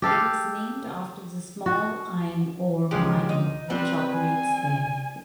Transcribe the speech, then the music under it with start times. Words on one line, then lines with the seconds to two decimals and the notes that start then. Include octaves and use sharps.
It is named after the small iron ore mine which operates there.
0.02 G4 A4 F5
1.66 F#4
2.91 C#2 F3 G#3 G4 F#5
3.29 D#4
3.70 G3 C4 B4 F#5
4.14 G#5